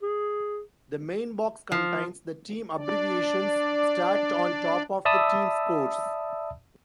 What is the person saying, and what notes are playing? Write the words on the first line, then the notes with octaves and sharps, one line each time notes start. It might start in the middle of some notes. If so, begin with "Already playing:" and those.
The main box contains the team abbreviations, stacked on top of the team scores.
G#4
F3
D4 D5
D5 E5 A5 B5 D#6 E6